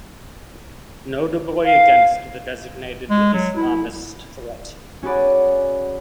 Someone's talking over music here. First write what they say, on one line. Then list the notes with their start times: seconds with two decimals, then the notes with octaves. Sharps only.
Notably against the designated islamist threat.
1.64 F5
3.10 G#3
3.33 F#3
3.56 E4
5.03 C#4 F#4 G#4 B4 D5